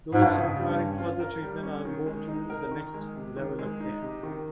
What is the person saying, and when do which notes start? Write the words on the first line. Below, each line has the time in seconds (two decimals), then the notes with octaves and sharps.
Those requiring further treatment are moved to the next level of care.
0.12 F2 G#2
0.23 G2
0.34 C#3
0.55 G2 G3
0.77 C#4
0.98 F4
1.20 A#4
1.42 G3
1.63 C#4
1.85 D#3
2.06 G#3
2.28 D#4
2.50 A#4
2.71 D#3
2.94 G#3
3.16 C3
3.37 D#3
3.59 G#3
3.80 D#4
4.02 C3
4.23 D#3